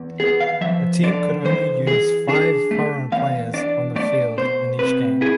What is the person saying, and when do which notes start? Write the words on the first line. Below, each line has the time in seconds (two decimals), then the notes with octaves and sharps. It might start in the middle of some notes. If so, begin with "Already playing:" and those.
A team could use only five foreign players on the field in each game.
Already playing: E2
0.20 B3 G#4
0.40 F5
0.61 F3 E5
1.03 D3 D5
1.45 E3 C5
1.87 E3 G#4
2.28 D4 G#4
2.71 A3
3.12 E2 F5
3.54 D4 D5
3.96 A3 D5
4.37 B2 C5
4.79 C3 B4
5.21 E4 G#4